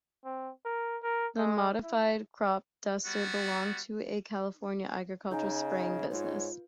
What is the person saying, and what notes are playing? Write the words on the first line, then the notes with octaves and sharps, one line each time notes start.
The modified crop duster belonged to a California agricultural spraying business.
C4
A#4
A#4
G#3
E4
G3 B3 F#4
C#3 D#4 D#5 G#5 A#5 G6
G#2 F4 B4 C#5